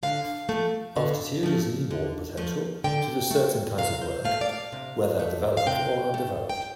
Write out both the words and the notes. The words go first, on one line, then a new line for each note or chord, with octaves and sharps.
Aptitude is inborn potential to do certain kinds of work whether developed or undeveloped.
D3 F5
F3 A3
D3
F3 A3
D3
F3 A3
D3 G5
F3 A3
C3 F5
C5
A3 F5
D5
F5
C3
A3
F5
C3 G5
A3
G5